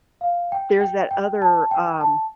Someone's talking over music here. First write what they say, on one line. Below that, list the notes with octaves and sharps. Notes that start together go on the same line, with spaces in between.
there's that other, um
F5
G5
G5
G5
A5
G5
A5